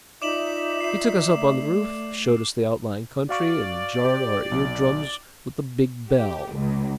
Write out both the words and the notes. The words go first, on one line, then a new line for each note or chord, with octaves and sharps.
He took us up on the roof, showed us the outlying country, and jarred our ear-drums with the big bell.
D#4 F4 D5 E5 D6 E7 F#7
C7 E7
A3
F#4 D5 F5 C#6
G4
B1
G4
C#2